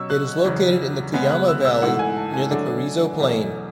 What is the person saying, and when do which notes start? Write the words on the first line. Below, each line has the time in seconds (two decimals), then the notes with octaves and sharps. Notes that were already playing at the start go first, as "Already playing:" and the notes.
It is located in the Cuyama Valley, near the Carrizo Plain.
Already playing: B2 F#3 C#4 C#6 E6
0.10 F#6
0.45 E2 C#3 F#3
1.13 C#3 G#3 B3
1.31 F#6
1.48 E6
1.65 E6
1.82 G#2 E3 A3 F#5
1.99 G#5
2.17 A5
2.34 G#5
2.51 D3 F#3 A3 D4
3.20 E2 B2 F#3 A3